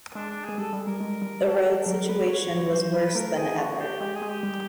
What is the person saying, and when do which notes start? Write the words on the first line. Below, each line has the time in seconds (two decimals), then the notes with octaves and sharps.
The road situation was worse than ever.
0.15 G#3 D4
0.30 D4
0.44 G#3 G#4
0.58 G3 A4
0.73 G3
0.86 G3 A#4
1.01 G#3
1.22 G3
1.44 A4
1.54 A#4
1.65 A4
1.75 A4
1.86 F#3 A#4
2.08 B4
2.29 F#3 C#5
2.50 F3
2.72 F#3 C5
2.94 B4
3.14 A3 A#4
3.36 G#4
3.57 F#4
3.79 G4
4.00 G#3 G4
4.15 G#4
4.22 G#3
4.28 G4
4.43 G3